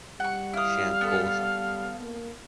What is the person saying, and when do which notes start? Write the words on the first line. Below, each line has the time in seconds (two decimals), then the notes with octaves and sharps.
Chen Guozhan.
0.20 G3 F#5 C#6
0.53 E4 F5 D#6
1.01 B3 A4
2.02 A#3